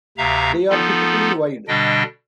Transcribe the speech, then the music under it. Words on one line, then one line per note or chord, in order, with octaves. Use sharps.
They are typically - wide.
D2 C3 E5 F5 A#5
F3 B3 D#4 F4 A4
B2 D3 G3 D4 D#5 G5